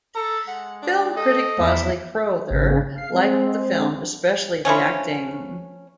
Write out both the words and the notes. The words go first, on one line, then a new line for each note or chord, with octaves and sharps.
Film critic Bosley Crowther liked the film, especially the acting.
A4 A#5
G#3 F#5
D4
A4 D#5
E2 G3 E5
G#1 C#3
F5 C7
G#3 C4
E3 F3 A3 C#4